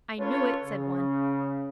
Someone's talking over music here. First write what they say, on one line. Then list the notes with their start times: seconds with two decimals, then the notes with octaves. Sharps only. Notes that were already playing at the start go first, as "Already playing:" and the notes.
'I knew it,' said one.
0.19 C#4 F4 A4 B4 C#5
0.63 C#3